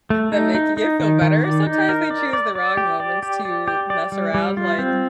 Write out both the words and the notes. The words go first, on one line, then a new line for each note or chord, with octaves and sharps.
them making it feel better. Sometimes they choose the wrong moments to mess around, like,
A3
D#4
D#4
D#4
D#3
D#3
D5
D#4
A#4
D5
D5
D5
G4
D5
G4
D5
G4
D5
G3
G3
F4
C4